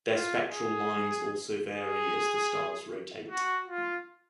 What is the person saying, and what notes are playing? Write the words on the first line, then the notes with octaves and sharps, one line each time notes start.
Their spectral lines also vary as the stars rotate.
F4
G#4
G#4
F#4
F4